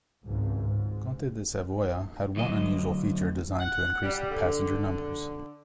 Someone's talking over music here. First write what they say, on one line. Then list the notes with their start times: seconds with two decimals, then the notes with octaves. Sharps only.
"Conte di Savoia" had one unusual feature designed to increase passenger numbers.
0.24 G#1 C#2 G#2
0.65 G#2
2.36 D2 F#3 D#5
3.60 F#5
4.03 G3
4.30 D3